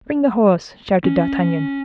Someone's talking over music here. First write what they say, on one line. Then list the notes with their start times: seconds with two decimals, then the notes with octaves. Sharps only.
"Bring the horse!" shouted D'Artagnan.
1.05 C#4